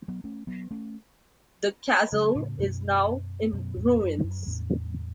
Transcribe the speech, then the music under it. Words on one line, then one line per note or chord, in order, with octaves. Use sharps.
The castle is now in ruins.
F#3 B3
A3 C#4
F#3 B3
A3 C#4
C#3 F#3
A2 C#3
F#2 B2
F#2 B2
E2 A2
F#2
F#2
E2 A2